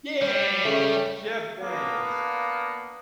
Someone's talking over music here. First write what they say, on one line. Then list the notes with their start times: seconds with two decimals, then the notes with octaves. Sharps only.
Yeah! Jeff Daniels.
0.22 G3
0.65 C#3 A3
1.60 A#3 B3 D4 F5